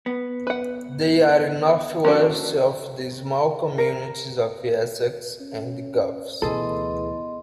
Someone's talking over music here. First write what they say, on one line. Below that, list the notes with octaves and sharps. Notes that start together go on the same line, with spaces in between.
They are northwest of the small communities of Essex and Goffs.
B3
B4 F#5
F3 A#3 C#4 D4 F#4 A4
A#4
C#4
D2 B2 E3 B3 G#4 A4 D#5 C6